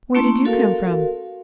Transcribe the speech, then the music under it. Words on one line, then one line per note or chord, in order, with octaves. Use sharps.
"Where did you come from?"
A3 A#3 C#4 E4 A5 C6
F#4 A4 A#4 F5